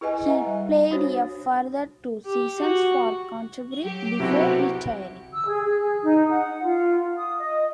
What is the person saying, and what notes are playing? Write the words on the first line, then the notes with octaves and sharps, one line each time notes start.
He played a further two seasons for Canterbury before retiring.
E4 G#4 B4 D#5 G#5
D#5 E5 F#5 G#5 A#5
G3
D4 F#4 C5 C#5
G4
F#4
F#3 G4
B1 C3 C4 E4 F#4
E6
G#4
G#4
D#4
F#5
F4
D#6
D#5